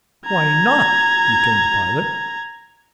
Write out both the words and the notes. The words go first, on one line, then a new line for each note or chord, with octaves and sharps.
"Why not?" returned the pilot.
A#5 G#6